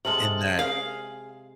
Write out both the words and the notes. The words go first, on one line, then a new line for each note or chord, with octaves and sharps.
and that,
C3 G#3 A4 F5 A5 F#7
G#4 F5